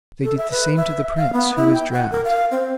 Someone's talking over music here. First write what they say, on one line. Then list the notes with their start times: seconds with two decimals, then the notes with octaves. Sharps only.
They did the same to the prince, who was drowned.
0.24 A4
0.37 E5
0.51 B4
0.77 E5
1.17 F5
1.33 B3
1.57 E4
1.74 G5
1.93 F#5
2.11 A#4
2.25 F5
2.51 C4